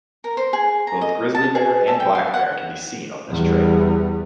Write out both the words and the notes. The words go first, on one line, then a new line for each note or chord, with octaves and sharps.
Both Grizzly Bear and Black Bear can be seen on this trail.
A#4
C5
G#4
A#5
D#5
A5
G#4
A4
G5
F5
F#5
E2 G3